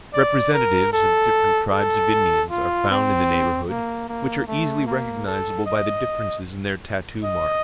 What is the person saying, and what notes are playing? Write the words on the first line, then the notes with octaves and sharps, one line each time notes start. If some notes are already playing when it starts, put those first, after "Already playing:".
Representatives of different tribes of Indians are found in the neighborhood, which are easily recognizable by the differences in their tattoo marks.
D5
A#4
A4
A4
F4
C4
A#3
A#3
A3
A#3
A4
D#5
D#5